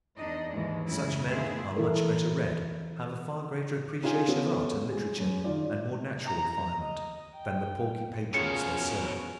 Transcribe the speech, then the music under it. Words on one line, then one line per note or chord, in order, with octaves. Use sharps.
Such men are much better read, have a far greater appreciation of art and literature and more natural refinement than the porky patrons they serve.
E2 D4 D#4 D#5
D#2 G#2 E3 G#3
F#2 A2 C#3 E4
A2 D#3 E4 F4 G#4 E5
E3 E4 A4 A#4
C#4 D#4 F4 G#4 G#5
B3 C#4 A4
G#3
F#2
D#3 F4 D5
A#5
D#5
G5
B2 C#4 F4 G#4 A#4 C#7